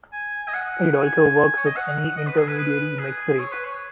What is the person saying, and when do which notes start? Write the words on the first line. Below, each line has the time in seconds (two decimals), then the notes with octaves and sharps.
It also works with any intermediary mix rate.
0.13 G#5
0.48 D#5
0.54 F#5
0.95 G#5
1.57 C#5
1.67 D#5
1.76 F#5
2.17 D#5
2.27 B4
2.38 G#4
2.48 B4
2.58 B4
2.99 G#4
3.39 C#5
3.52 B4
3.65 C#5